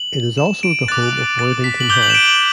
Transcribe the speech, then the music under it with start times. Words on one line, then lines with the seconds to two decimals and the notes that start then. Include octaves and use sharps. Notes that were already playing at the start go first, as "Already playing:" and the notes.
It is also the home of Worthington Hall.
Already playing: F#7
0.38 E7
0.63 D7
0.88 D6 F#6 A6
1.39 A6
1.64 B6
1.80 F#7
1.90 D6 G6 G7
2.03 F#7
2.10 E7
2.14 D7
2.28 F#7